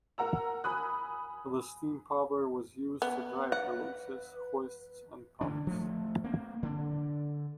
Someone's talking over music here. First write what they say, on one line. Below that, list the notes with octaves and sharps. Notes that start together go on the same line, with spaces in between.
The steam power was used to drive the winches, hoists and pumps.
A#4 F#5 A#5 E6
G#5 B5 D#6 F#6
B3 F#5
B4 F#5
D2 D3 E3 D4
F3 A3
A#3 C4
D3 D4